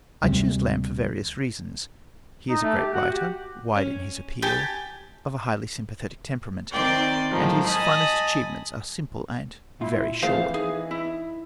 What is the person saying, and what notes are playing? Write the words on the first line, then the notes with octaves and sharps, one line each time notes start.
I choose Lamb for various reasons: He is a great writer, wide in his appeal, of a highly sympathetic temperament; and his finest achievements are simple and very short.
D2 C3 G3
D#4
A3
G4
F#4
G4
C#4
G4 G#5 A5
D#3 C4 D5 G5 C6
A2 D#3 F3 F#3 G#3
D#5 G#5 A5 B5 D#6
A#2 E4 F4
E3 F3 A3 C4 G#4 C5 F5
D#4 G#4
E4